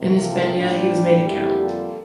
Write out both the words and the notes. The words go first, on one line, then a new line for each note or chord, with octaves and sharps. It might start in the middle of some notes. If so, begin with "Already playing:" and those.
In Hispania he was made a count.
Already playing: C2 C3 F3 A#3
F4 A4
A2 G3 A#3 D4 F4
F2 D3 G3 A#3 E4 G4
F4 A4